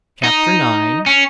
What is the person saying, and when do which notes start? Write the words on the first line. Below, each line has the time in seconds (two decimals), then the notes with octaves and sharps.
Chapter IX.
0.24 D#4
1.06 C#4